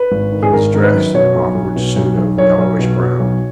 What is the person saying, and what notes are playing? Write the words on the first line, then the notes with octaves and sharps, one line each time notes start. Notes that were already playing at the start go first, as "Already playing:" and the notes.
He was dressed in an awkward suit of yellowish brown.
Already playing: B4
G#1
D#3
G#4
G#1 A#4
D#3 A#4
B4
F#2
B2 C#5
B1
B1
B2
B1
B1
B1 C#5
B1
B2
B2
B1